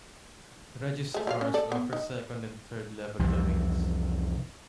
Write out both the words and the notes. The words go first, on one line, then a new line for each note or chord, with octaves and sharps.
Registrars offer second and third level domains.
G#3 A3
F#3 F4 F5
C#4
A4 D5
B3
D#4
C2 F2 C3 E3